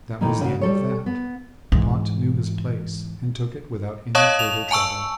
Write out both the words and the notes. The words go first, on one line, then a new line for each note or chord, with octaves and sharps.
That was the end of that, Pont knew his place and took it without any further trouble.
A2 D#3 A#3
C#3 F#4
G3 A4 C#5
B3
G#2 E3
C#5 D#5 F5 A5 C#6 D#6
F7
G#5 A5 C#6 E6